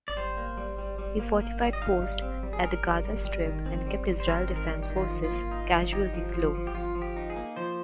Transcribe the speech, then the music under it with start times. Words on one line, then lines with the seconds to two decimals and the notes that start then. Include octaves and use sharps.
He fortified posts at the Gaza Strip and kept Israel Defense Forces casualties low.
0.08 D5
0.17 G3 C5
0.37 A#3
0.57 G3
0.78 G3
0.99 G3
1.20 A#3
1.40 A#3
1.61 G3
1.73 D#5
1.81 D#4 F5
2.02 G3
2.22 C4
2.43 G3
2.53 G#4
2.63 G3 A#4
2.84 G3
3.05 G3
3.25 G3
3.46 D#3
3.66 C4
3.86 G3
4.08 G3
4.20 C5
4.28 C4 A#4
4.48 D#3
4.56 A#4
4.69 G3
4.83 G4
4.90 D#3
4.97 F4
5.10 F3
5.24 F4
5.31 A#3
5.51 D#4
5.72 F3
5.92 D#4 G4
6.13 F3
6.34 F3
6.55 F3
6.67 G4
6.75 F3 F4
6.95 F3
7.02 G4
7.16 D#4
7.30 G#4
7.36 A#3
7.57 F3 C5